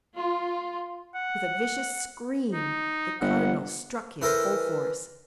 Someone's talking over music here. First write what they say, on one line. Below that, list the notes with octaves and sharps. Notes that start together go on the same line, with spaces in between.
With a vicious scream the Cardinal struck him full force.
F4
F#5
D#4
G1 F#5
E3 A4 A#4 C5